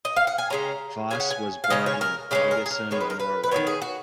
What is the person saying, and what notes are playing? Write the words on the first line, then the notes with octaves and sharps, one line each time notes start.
Fosse was born in Haugesund, Norway.
D#5
F5
F#5
G#5
C#3 G#3 C#4 A#5
C#3 G#3 C#4 G#5
F#5
G#5
F5
C#3 G#3 C#4 D#5
C#5
A#4
C#3 G#3 C#4 B4
A#4
G#4
A#4
D#3 G#3 B3 C#5
B4
A#4
B4
B4
D#3 G#3 B3 C#5
G#4
F#4